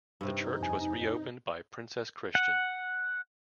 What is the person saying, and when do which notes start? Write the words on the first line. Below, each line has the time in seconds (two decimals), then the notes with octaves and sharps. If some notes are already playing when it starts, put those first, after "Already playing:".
The church was reopened by Princess Christian.
0.21 G2 C3 D#4
0.61 F2 G#5
2.35 F#5